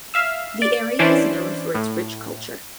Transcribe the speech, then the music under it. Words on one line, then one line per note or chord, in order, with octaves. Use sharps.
The area is known for its rich culture.
E5 F5 E6
D5
E3 C#4 D4 E4 C5 D5
A2